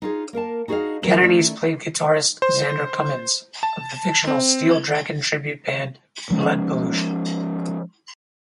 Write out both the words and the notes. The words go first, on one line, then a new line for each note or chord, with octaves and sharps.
Catanese played guitarist Xander Cummins, of the fictional Steel Dragon tribute band Blood Pollution.
D#4 F4 G#4
A#3 A#4 F5 A5
D#4 F#4 G#4 B4 D#5 F5
D2 C#3 F#3 A4 A#4
D#3 A3 C#4 D5 E5
C5
A5
C4
F3 G#3 C#4